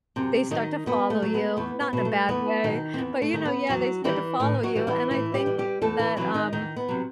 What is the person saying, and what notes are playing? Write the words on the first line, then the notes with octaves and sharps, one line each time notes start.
they start to follow you, not in a bad way, but, you know, yeah, they start to follow you, and I think that, um,
F#2 C3 C4
D#3 F#3 D#4
F#2 B3
A3
F#3
B3
E2 B3
B3
B2 F#3
A3
E2 B3
B2 D#3 F#3 D#4
C4
E2 B3
A3
D#3 G3
B3
E2 F#3 F#4
D#3 E3 G3 E4
A2 D#3 D#4
F#3 F#4
E3 G3
E3 E4
A2 E3 E4
G3 G4
E3 G3
G3 G4
E2 A3 A4
E3 E4
C3 E3 F#3 E4
D#3 D#4
E2 D#3 D#4
B3
C3 F#3